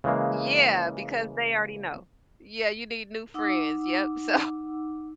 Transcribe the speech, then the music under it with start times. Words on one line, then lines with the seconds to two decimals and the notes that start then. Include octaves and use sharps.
Yeah, because they already know. Yeah, you need new friends. Yep. So
0.04 C#3 E3 G#3 A#3
3.34 D#4 F#5 D6 E6